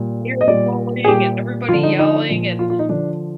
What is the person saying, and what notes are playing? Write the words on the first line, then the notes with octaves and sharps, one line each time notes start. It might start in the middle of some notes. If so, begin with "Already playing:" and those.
hair-pulling and everybody yelling, and
Already playing: A#2 G3
D#5
A#2 G3 D5
G#4
A#2 G3 G4
D3 F3 F4
D#4
D#4
A#2 F3
F4
F4
D#4
D3 F3 D4